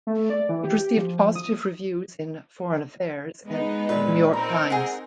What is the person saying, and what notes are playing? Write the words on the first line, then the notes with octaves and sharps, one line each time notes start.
It received positive reviews in "Foreign Affairs" and "The New York Times".
A3
D5
E3
G4
F3
D#6
G#3 B3 D#4
A#2 B4
C4 D#4 A#4 A#5
G#4 F#5